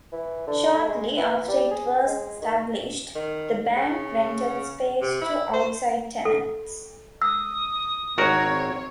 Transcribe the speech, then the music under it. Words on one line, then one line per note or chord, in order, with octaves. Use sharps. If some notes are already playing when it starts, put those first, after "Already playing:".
Shortly after it was established, the bank rented space to outside tenants.
E3
D3
A3
G#3
E3
G3
G#4
G#3
D#3
D#3
C#3
C3
E4
C5
A4
D#6 E6
G#1 C4 F#4 A#4 C#5